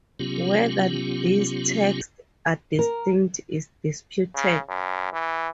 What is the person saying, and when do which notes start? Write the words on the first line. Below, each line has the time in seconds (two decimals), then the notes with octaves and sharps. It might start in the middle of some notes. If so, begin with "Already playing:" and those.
Whether these texts are distinct is disputed.
0.19 C3 F#3 B3 C#4 F4 G4
2.79 A#4
4.35 C#3
4.69 F#2
5.13 E3